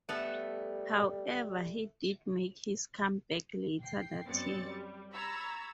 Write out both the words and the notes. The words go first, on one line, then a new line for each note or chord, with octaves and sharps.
However he did make his comeback later that year.
G3 A3 B3 A4
G5 C7
F#2 B3 C4 D5 A6 C#7
G3
A#5 B5 C#6 E6 G#6 A6